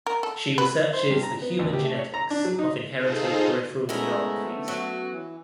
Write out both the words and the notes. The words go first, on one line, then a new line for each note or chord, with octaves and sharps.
She researches the human genetics of inherited peripheral neuropathies.
A#4
A4
B4
C5
G2
A#5
B3
D2
G4
A3
C#5
A#5
D4
F#3
D#4
D#4 F4 G#4 A4 C5
C#3 G#3 A3 B3 C#4 E4 A#4
F#3 F#4
E3